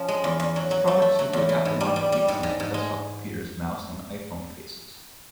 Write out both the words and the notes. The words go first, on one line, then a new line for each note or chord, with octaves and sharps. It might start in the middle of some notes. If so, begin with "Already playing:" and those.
Its products include aftermarket heat sinks for desktop computers, mouse and iPhone cases.
Already playing: F3 C#4
G#3
E2
E2
F#3
F#3
A3
A3
F#3
E2
E3
G#2
G3
G3
G3
G#2
G#2
G#2
G#3